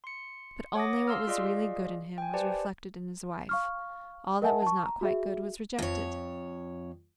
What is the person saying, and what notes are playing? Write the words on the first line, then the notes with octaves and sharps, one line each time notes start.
But only what was really good in him was reflected in his wife, all that was not quite good was rejected.
C6 C#7
C#5 F#5 D6 D#6 A#6
F5 C6 E6 F6
F4 G#4 D5 D#5 F5
G5 G#5
G4 B4 C5 D5 A5
F5 C#6 F6
A#4 D#5 E5 F#5 G#5 A5
A5 C#6
A#5
F#4 G#4 E5
F2 C#5